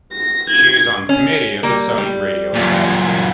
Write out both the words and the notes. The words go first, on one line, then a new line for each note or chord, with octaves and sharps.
She is on the committee of the Sony Radio Academy.
A#6
G#6
C#4
G3 A#3
G3
F#2 A#2